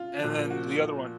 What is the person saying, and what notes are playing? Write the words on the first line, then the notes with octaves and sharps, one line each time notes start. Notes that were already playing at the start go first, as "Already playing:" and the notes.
and then the other one
Already playing: F4
A#2 F3
F#4